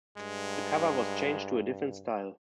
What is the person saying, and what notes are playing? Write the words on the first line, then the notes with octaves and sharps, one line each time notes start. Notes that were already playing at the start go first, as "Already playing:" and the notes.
The cover was changed to a different style.
G2 G#3